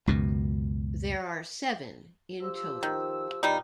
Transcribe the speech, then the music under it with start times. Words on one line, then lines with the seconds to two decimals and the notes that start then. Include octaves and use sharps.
There are seven in total.
0.07 C#2 F#2 B2
2.41 F3 G4 E6
2.83 D#3
3.43 E2 A#2 G3 D#4 F5